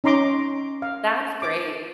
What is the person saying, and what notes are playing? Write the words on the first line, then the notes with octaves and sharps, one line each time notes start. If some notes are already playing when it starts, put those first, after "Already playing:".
That's great,
C#4 D#4 A#5 C6 D6
F5
D6